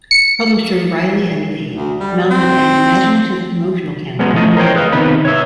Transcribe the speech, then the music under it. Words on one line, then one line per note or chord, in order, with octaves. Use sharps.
Publisher Reilly and Lee mounted an imaginative promotional campaign for the book.
C#7
D2
G3
C4
F#3 G#3 B3 C#4
E3 F3 A3 D#5
A#4 C5 C#5 G5
G#4 B4 D#5 F5
C3 D#3 B3 D#4 B4
C#5 E5